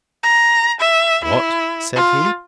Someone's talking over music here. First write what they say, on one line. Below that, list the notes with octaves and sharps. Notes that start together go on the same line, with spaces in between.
"What?" said he.
A#5
E5
E4
F4